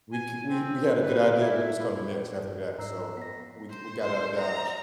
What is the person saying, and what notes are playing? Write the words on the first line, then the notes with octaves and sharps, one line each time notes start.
we c we we had a good idea what was coming next after that, so, we g we got out of Dodge.
G#5
C4
B4
E4
A2
G2
G#2 A#5 E6 C7
F4
B3 A#6 B6
C5
C5
A#5